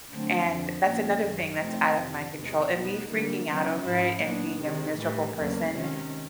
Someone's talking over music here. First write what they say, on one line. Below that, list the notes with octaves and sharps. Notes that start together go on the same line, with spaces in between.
and that's another thing that's out of my control, and me freaking out over it and being a miserable person,
D3 F#3 A3 C4
F2 D3 F3
A#2 F3 A#3 C#4
F#2 D#3 G#3
C3 F3 A3 C4 D#4
F2 C3 D#3
E2 C3 E3 G#3
B2 G3 B3 D#4
D3 G3 A#3
C#3 F#3 B3 D#4
G#2 F3 G#3 C#4 E4
A#2 F#3 B3 D4
C3 D#3 G#3
A2 E3 G3
E2 C#3 F#3 A#3
C3 D#3 G#3 C#4